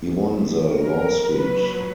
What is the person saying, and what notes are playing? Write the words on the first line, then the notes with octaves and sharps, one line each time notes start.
He won the lawsuit.
A#2 F#3
A#4
A#2 F#3 B4